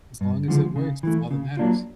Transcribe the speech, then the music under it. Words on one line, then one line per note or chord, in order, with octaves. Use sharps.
As long as it works, that's all that matters.
G2
D3 F3 G#3
C#3
E3 A3
C#3
F#3 A#3 D4 F4